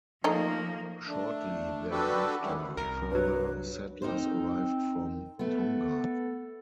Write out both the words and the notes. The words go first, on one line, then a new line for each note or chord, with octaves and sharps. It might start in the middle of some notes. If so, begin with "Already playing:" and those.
Shortly thereafter, further settlers arrived from Tonga.
D#3 F3 A3 A#3 D#4
A3 D4
D4 F#4 G4 A4 B4
D#3 G3 G#3 C#4 E4
C2 A#4
G2 F#3 B4
C4 D#4 A#4 C5
A3 B3 A4